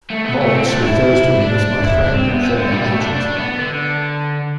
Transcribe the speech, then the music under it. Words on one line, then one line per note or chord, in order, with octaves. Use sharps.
Maltz refers to him as my friend and former agent.
A3
B3
A3
C4
D4
E4
E4
D4
E4
D4
C4
B3
C4
D3
G3
A3
D4
D4
B3
D3